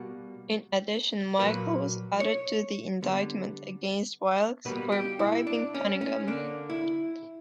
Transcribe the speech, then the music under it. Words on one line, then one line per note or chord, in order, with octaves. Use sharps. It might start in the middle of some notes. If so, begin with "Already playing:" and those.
In addition Michael was added to the indictment against Wilkes for bribing Cunningham.
Already playing: B2 G3 A#3 F#4
A#2 F#3 A#3 B4
C#5
D3 G3 B3
B2 G3 A#3 B4
G4
E4
D4
C#4
C#4
D3 A#3 D4
E4